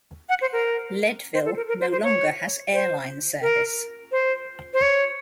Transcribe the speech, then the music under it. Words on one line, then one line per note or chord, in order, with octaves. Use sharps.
Leadville no longer has airline service.
F#5
C5
A#4
C5
A4
A#4
A#4
C5
C5
C#5
C5
A#4
C5
C5
C#5